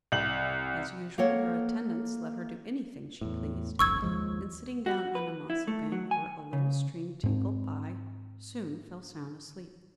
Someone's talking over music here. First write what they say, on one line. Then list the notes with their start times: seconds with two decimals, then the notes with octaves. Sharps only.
As usual, her attendants let her do anything she pleased, and sitting down on a mossy bank where a little stream tinkled by, soon fell sound asleep.
0.12 C2 F#7
1.18 A#3 A4 C#5 F#5
3.21 E2 A2
3.79 G1 C2 F2 C#6 E6 G#6
4.02 D#2 F3 G#3
4.86 F#4
5.15 B4
5.50 E4
5.67 A3
5.92 F#3
6.11 G#5
6.53 C#3
7.23 G#2 C4